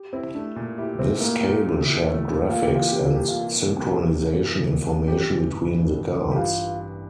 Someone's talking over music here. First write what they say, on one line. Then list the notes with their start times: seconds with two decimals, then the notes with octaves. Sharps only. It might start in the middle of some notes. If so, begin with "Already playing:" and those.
This cable shared graphics and synchronization information between the cards.
Already playing: G4
0.13 C4 E4
0.35 A3 D4
0.56 A#2
0.78 E4 G4
0.99 C4 E4
1.20 A3 A#3
1.43 A#2
1.64 G4
1.85 E4
2.06 A3
2.28 A#2
2.50 A#3 F4
2.63 G4
2.70 E3
2.76 F4
2.89 C3 G4
3.02 F4
3.14 C2 G4
3.28 F4
3.35 A#3
3.57 E3
3.78 C3 G4
4.00 C2
4.21 A#3
4.43 E3
4.65 C3
4.86 C2
5.08 A1 G4
5.28 E3
5.51 G2
5.72 A1
5.93 A1
6.15 E3
6.31 G4
6.36 G2 F4